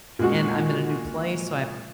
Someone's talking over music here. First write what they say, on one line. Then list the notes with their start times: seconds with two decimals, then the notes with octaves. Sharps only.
and I'm in a new place, so I
0.19 A#2 G#3 F#4